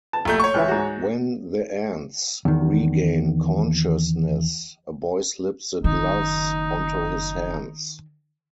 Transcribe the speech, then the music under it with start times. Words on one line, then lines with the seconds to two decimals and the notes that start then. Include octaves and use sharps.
When the ants regain consciousness, a boy slips the gloves onto his hands.
0.13 A5
0.25 F1 A#2 A3 G6
0.40 C#5 C#6
0.54 C#2 E3 E5
0.68 G#2 F#4
2.45 E2 D#3
5.84 F#1 D#3 D#4